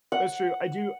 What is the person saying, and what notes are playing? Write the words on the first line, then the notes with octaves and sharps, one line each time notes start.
That's true. I do
F#5